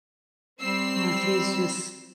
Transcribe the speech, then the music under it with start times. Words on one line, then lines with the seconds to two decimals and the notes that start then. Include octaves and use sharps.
you know, she's just
0.61 G3 C4 E6 C7